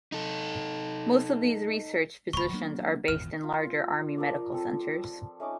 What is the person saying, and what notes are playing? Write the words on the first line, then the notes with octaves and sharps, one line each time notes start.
Most of these research Physicians are based in larger Army Medical Centers.
D#4 A4
D#1 C#2 B5 C#6
F#3 A#3 D4
G#1 E2 A#2 F6
F4
F3 A#4 D5
C4 A4
A3 C#4 D#4 D6